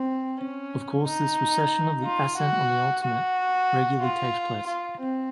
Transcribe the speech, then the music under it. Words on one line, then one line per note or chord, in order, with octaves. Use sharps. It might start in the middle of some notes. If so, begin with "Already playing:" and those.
Of course this recession of the accent on the ultimate regularly takes place.
Already playing: C4
C#4
D#4
F4
F#4
F#4
F4
F4
C4